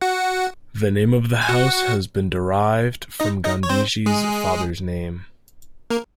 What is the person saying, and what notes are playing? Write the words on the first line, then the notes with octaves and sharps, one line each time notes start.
The name of the house has been derived from Gandhiji's father's name.
F#4 F#5
G#5
F#4 F#5
D#4 D#5
D#4 D#5
C#5
C4 C5
G#3 G#4
A#3 A#4